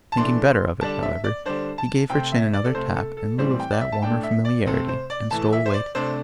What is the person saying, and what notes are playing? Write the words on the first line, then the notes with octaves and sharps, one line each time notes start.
Thinking better of it, however, he gave her chin another tap, in lieu of that warmer familiarity, and stole away to bed.
A5
E3 A3 D4 C6
D3 G3 D4 A5
E5
D5
D3 G3 D4 C5
A5
C3 A3 C4 G5
E5
D5
A4
C3 A3 C4 C5
A4
A4
A2 E3 G3 C4 C5
G5
D5
E5
A5
A2 A3 D4 G5
E5
D5
C3 A3 C4 A4
C5
D5
A2 E3 A3 A5
E5
C5
D5
C3 A3 D4 C5